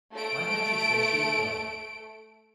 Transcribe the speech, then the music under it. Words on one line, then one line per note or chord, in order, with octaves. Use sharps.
Why had she said she would go?
A3 D7